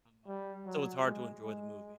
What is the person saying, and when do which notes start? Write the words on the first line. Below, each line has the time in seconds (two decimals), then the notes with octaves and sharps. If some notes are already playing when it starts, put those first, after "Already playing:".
Uh, so, it's hard to enjoy the movie.
0.28 G3
0.66 F#3
1.03 G#3
1.41 G#3